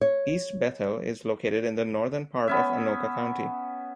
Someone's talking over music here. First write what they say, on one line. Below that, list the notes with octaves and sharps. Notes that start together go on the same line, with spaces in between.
East Bethel is located in the northern part of Anoka County.
C#5
B3 C#4 E5